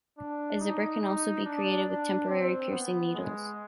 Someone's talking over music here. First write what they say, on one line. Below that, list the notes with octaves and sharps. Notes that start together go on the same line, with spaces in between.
A zipper can also be created with temporary piercing needles.
D4
D#4
D#4
D4
D4
C4
B3
G#3